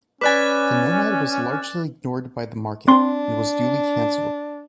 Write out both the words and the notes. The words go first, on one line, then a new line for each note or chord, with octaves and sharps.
The Nomad was largely ignored by the market, and was duly cancelled.
C#4 B4 D5 G#5 D6 F#6 A6
C4 D4 C6